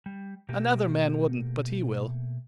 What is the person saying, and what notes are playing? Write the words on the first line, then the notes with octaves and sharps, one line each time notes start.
Another man wouldn't, but he will.
G3
B2 A3 A#3 G4